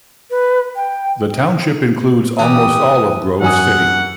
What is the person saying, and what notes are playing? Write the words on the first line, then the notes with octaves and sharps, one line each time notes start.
The township includes almost all of Grove City.
B4
G5
E3 G4 D#6
F#2 F#5 G#5 D#6